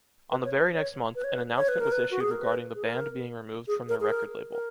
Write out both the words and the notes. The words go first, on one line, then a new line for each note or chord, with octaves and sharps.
On the very next month, an announcement was issued regarding the band being removed from their record label.
B4
C#5
B4
C#5
B4
C#5
B4
C#5
B4
A#4
B4
F#4
G#4
A#4
B4
G#4
A#4
G#4
A#4
G#4
A#4
A#4